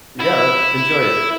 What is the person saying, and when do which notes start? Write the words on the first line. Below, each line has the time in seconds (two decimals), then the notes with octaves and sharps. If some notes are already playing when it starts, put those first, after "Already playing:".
Yeah, that enjoy it.
0.20 E4